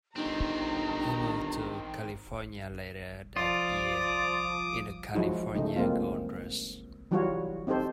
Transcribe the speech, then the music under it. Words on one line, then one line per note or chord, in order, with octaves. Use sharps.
He moved to California later that year in the California Gold Rush.
G1 D#3 C4 D#4 A#5
F3 F4 D5 D6 D#6
F3 F#3 G#3 D#4 E4 F#4
C#3 A3 D#4
F#3 G#3 A#3 C4 F4
E3 F#3 G3 F4 F#4 C#5
C4 D#4 G4 A4 C5